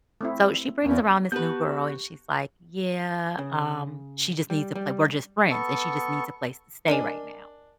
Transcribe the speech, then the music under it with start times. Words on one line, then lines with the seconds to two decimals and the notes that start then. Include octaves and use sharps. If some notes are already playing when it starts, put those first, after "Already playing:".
So she brings around this new girl and she's like, "Yeah, um, she just needs to play, we're just friends and she just needs a place to stay right now."
0.21 A3 C4 E4
0.84 E2 A#3 C#4
1.32 B3 F#4 G4 B4 A5 G6
3.38 C#3
4.50 G3
4.75 G3
5.51 B3 A4 C#6
6.88 D4 A#4 D#5 G#5